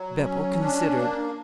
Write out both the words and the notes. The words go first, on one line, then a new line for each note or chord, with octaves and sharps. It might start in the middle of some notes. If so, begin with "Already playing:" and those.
Beppo considered.
Already playing: F#3
C#4
D4
A#3